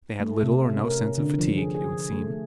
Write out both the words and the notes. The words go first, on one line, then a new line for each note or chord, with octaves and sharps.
They had little or no sense of fatigue, it would seem.
A3
C3
C#4
A#4
C#4
D3
F3
G#4
G#4
A3